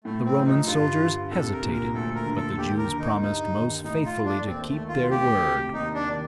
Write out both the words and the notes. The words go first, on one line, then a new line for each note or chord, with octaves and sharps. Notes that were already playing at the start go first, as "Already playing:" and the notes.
The Roman soldiers hesitated, but the Jews promised most faithfully to keep their word.
A2 A3
C4
F3
D#4
G2 F4
D3
C2 A4
A#4
A#2
A#4
D2 A4
A#4
D3
A4
D#2 G4
A#4
D3
D#4
G2 D#4
D#3
A2 D#4
F4
A3
D4
D#2 C4
A3
D#3
F4
D2 G4
C3
D#2 D#4
D4
D#3